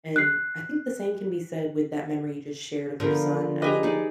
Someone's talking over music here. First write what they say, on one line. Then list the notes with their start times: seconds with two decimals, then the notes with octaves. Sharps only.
and I think the same can be said with that memory you just shared of your son I mean
0.16 F#6 C7
3.00 D3 F3 B3 A#4
3.62 G4 G#4 B4 D#5 G#5 A#5
3.83 D#4 G#4 D5